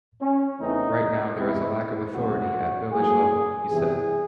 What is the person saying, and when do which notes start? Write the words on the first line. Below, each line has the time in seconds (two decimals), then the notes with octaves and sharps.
Right now there is a lack of authority at village level, he said.
0.21 C#4
0.59 E2 C#3 E3 A3 C4 D#4
1.36 E2 C3 E3 G#3 C4 E4
2.14 D2 C#3 F#3 A3 C4 F#4
2.92 A2 F#3 A#3 G#4
3.69 E2 C3 E3 G#4